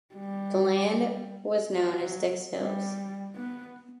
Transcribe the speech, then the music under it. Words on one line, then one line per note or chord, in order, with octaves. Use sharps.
The land was known as Dick's Hills.
G3
F#3
G3
B3